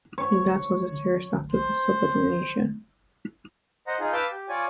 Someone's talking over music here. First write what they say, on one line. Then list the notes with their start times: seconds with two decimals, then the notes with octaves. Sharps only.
That was a serious act of insubordination.
0.18 C#5
1.52 C5
3.87 C5 D#5 F#5 A#5
4.00 D#4 F4 G#4
4.13 B4 F5 A5 D6 E6 G6
4.31 G4
4.49 F4 C#5 D5 G#5